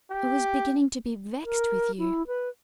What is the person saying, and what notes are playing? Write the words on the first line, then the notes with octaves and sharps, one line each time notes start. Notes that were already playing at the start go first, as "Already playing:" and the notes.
I was beginning to be vexed with you.
G4
A#4
E4
B4